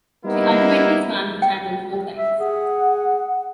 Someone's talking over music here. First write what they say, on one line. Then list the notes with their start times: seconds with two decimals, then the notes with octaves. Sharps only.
She ultimately swam the Channel four times.
0.25 G3 A#3 B3 D#4 E4
1.42 G5
2.15 E5
2.40 G#4 F#5